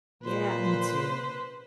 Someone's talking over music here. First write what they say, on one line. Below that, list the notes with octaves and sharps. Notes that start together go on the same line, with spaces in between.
Yeah, me too.
A#2 B4 C5